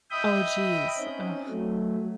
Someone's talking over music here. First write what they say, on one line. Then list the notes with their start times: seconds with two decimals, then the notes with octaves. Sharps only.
Oh, jeez. Oh,
0.11 D#5 E5 G5 B5 D#6 G6
0.97 C4 C#4 D#4
1.49 F#3 A3